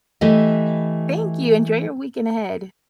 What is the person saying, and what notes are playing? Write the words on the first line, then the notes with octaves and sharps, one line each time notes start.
Thank you. Enjoy your weekend ahead.
E3 A3 G4 D#5